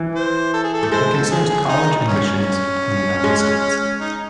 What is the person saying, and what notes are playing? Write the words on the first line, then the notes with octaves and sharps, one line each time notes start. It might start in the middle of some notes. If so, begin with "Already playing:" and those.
It concerns college admissions in the United States.
Already playing: E3
C5
A4
G#4
A4
A3
G#3 E4 A4 C5
A4
G#4
G#4
D#4
C#4
C#4
G#3
D#4